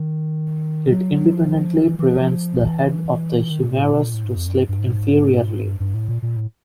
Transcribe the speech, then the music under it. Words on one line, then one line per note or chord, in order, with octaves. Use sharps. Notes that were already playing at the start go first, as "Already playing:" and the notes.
It independently prevents the head of the humerus to slip inferiorly.
Already playing: D#3
F#3
F3
E3
E3
E3
F3
F3
E3
D#3
A#2
A2
B2
A#2
A2
G#2
F2
F#2
G2
G2
G#2
G2
G2
A2
A#2
A#2
A2